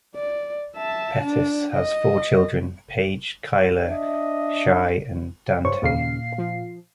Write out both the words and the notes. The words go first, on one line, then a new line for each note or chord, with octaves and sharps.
Pettis has four children, Paige, Kyler, Shaye, and Dante.
D5
E5 A5
D4
D#5
D4 D#5 E5
G2 C5 C#5 C#6
D#2 A#2 C#3 F5 C7
F3